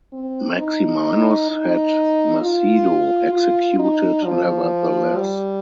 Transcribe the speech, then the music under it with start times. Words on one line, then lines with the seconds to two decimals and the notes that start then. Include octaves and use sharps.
Maximinus had Macedo executed nevertheless.
0.13 C4
0.59 D#4
1.51 D#4
2.41 F4
3.33 F4
3.79 D#4
4.25 F3
5.16 G3